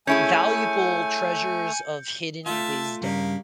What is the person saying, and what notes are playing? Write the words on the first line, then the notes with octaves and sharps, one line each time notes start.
valuable treasures of hidden wisdom.
A3 C#4 E4 G#4 G#5 G6 C#7
A3 F4 E5 A5
G2 C#3 G3 A#3